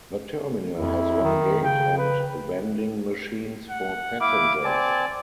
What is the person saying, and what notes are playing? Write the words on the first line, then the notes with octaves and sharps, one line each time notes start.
The terminal has one gate and vending machines for passengers.
F2 E4
D#3
C#3 G5
B4
F#5
E4 F5 D6
C4 D5 G#5 A5